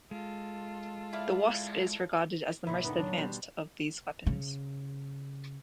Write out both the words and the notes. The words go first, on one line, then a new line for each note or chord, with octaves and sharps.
The Wasp is regarded as the most advanced of these weapons.
G#3 F4 A4
E4 D5 F5
C#2 A#2 E4
D3 D#3 B3
F#3 D4
B2 G3 C5
C#3